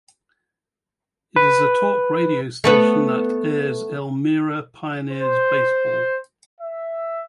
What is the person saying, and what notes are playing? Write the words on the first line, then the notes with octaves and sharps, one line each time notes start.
It is a talk radio station that airs Elmira Pioneers baseball.
B4
A3 B3 B4
C5
E5